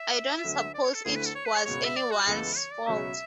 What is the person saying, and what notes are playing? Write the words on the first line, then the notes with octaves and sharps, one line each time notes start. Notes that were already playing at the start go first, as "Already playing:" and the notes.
I don't suppose it was anyone's fault.
Already playing: E5
D2 D3 F#3
D5
C#5
A4
D2 D3 A3 E4 G#4
B4
A4
C#5
B4
C#5
C#2 B2 G#3 C#5
E5
D5
F#4
C#2 C#3 E3 B3 A4
C#5
D5
C#2 B2 F#3 C#4 E5